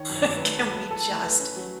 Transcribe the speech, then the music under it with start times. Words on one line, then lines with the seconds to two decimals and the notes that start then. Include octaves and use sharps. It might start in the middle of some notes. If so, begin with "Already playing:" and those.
Like, can we just
Already playing: D#3 C#5
0.10 F#2
0.16 C#5
0.26 F#2
0.37 B4
0.43 A3
0.58 A3 B4
0.75 A3
0.91 E3 A4
1.08 A3
1.24 A3 B4
1.40 C#4
1.56 F#3